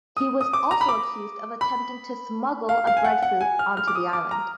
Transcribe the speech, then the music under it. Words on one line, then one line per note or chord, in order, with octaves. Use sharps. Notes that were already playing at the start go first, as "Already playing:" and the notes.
He was also accused of attempting to smuggle a breadfruit on to the island.
D#6
D#6
D6
A#5
B5
D6
B5
F5
F5
G#5
F#5
F#5
G#5
F6
F6
D6
D#6
D6
A#5